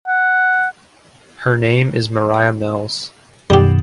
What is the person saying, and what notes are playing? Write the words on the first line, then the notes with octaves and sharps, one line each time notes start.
Her name is Mariah Mills.
F#5
F#2 B2 D#3 G3 G4